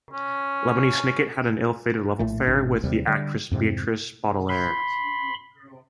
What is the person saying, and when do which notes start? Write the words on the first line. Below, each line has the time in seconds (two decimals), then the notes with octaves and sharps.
Lemony Snicket had an ill-fated love affair with the actress Beatrice Baudelaire.
0.13 C#4
2.19 A#1 A2 A3
2.47 G#1 B2 D4
2.84 D#2 C3 G3
3.07 D3 G3
3.51 F2 G#2 C3 C4
4.49 B5 C6